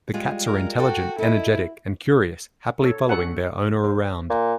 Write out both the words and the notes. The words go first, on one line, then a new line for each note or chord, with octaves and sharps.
The cats are intelligent, energetic, and curious, happily following their owner around.
G3 G#3 F4
A#4
F#4 A4 G5 A5
E4 A4 D#5
A4 C#5
C#4 A4 F#5
C5
A#2